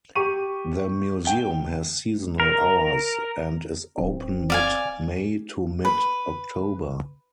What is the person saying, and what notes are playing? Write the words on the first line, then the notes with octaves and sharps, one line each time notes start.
The museum has seasonal hours and is open mid-May to mid-October.
G4 C#6 D#7
G5 G7
A#4
D1 C4
D5 F5 G#5
B4